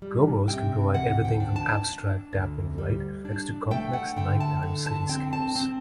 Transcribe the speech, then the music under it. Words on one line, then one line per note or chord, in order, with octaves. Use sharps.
Gobos can provide everything from abstract dappled light effects to complex night-time cityscapes.
G3
C3 G5
D2 F#5
G5
D4
A5
D4
D2
G3
D4
A3 G5
F#5
D3 G5
A5
D3
A5
C4 G5
A5
C4